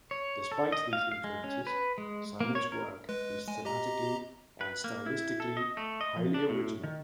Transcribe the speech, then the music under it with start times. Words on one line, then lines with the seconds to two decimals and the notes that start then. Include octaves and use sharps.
Despite these influences, Simon's work is thematically and stylistically highly original.
0.11 C#5
0.52 A4
0.72 D#5
0.93 F5
1.12 F5
1.24 G#3
1.44 C#4
1.67 B4
1.98 G#3
2.40 A#3
2.55 C#5
2.72 A#4
3.09 G#3 B4
3.48 G#3 G#5
3.65 G4 D#5 A#5
4.61 B4
4.84 A#3
5.06 E4
5.40 A4
5.57 D#5
5.77 A3
6.01 D#5
6.16 F3
6.34 D4
6.49 A2
6.84 D#3